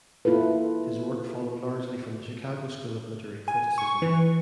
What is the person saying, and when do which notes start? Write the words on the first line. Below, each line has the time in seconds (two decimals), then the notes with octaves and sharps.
His work followed largely from the Chicago school of literary criticism.
0.25 A#3 E4 F4 A4 B4
3.48 G#5
3.78 C#6
4.02 E3